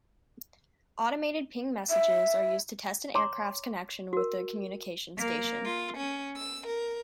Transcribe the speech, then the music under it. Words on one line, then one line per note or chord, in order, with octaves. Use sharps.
Automated ping messages are used to test an aircraft's connection with the communication station.
E5
C#5 A#5 C6 D6
F#4 A#4
A#3
F4
C#4
E6
A#4